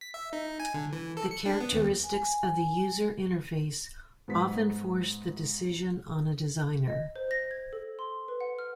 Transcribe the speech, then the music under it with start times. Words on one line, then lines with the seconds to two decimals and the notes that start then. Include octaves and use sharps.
The characteristics of the user interface often force the decision on a designer.
0.01 B6
0.14 E5
0.33 D#4
0.60 G#5
0.74 D3
0.93 E3
1.17 A4
1.31 C#7
1.46 D4
1.60 B3
1.72 D#2
2.04 G#5
4.28 G#2 B3 B6
6.88 D#5
7.16 C5
7.31 A#6
7.51 G#6
7.73 A4
7.99 C6
8.28 B4
8.41 F#5
8.59 F6